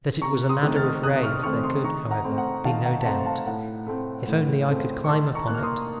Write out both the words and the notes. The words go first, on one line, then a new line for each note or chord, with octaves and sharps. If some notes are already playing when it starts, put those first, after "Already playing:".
That it was a ladder of rays there could, however, be no doubt: if only I could climb upon it!
C3 A#5 C#6
C6 D#6
D#3 A3 C4
F6 A6
C3 D#6 F#6
C#6 F6
D#3 A3 C4 C#6 F6
C6 D#6
D#3 A#5 C#6
F#5 A#5
A3 C4
F#5
D#3 F5 A5
F#5 A#5
A5
A3 C4 F#5 A#5
F5 A5
A2 F#5
A3 C4
A2
A3 C4
C#6
D#3 A5 C6
A#5 C#6
A#3 F#6
F6
C6 D#6